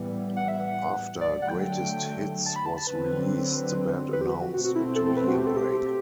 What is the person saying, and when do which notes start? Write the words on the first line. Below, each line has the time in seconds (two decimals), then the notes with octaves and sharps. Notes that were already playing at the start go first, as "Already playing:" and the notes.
After "Greatest Hits" was released, the band announced a two-year break.
Already playing: A2 E3 G3 B3
0.37 F#5
0.48 E5
0.60 F#5
1.20 D3 F#3 A3 D5
1.42 F#5
1.48 G5
2.46 A5
2.56 B5
2.66 A5
2.77 A5
2.87 D3 F#3 C4 B4
4.13 B4
4.21 G4
4.26 F#4
4.40 F#4
4.54 B2 A3 C4 F#4
4.64 F#4
4.75 E4
4.95 A4
5.06 A4
5.16 B4
5.27 F#4
5.38 G4
5.47 A4
5.57 G4